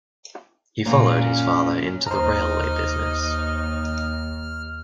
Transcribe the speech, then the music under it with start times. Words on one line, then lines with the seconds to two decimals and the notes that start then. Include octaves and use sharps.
He followed his father into the railway business.
0.86 A#2 C#4 A#5
2.07 D#2 D#4 C5 A#5 F6